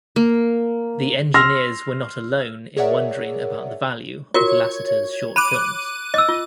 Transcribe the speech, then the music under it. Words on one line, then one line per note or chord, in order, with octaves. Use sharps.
The engineers were not alone in wondering about the value of Lasseter's short films.
A#3
C6 E6 F6 A#6
G#4 A#4 C#5 D5 E5 F#5
F4 F#4 A#4 C#5
B5 D6 F#6 D#7
D#5 E6
F4